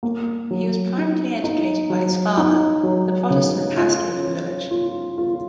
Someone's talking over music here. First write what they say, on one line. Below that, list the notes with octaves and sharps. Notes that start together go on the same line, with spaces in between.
He was privately educated by his father, the Protestant pastor of the village.
A#3
F#3
D#4
D#4
F#3
D#4
F#3
C#3
F4
C#4
F4
F4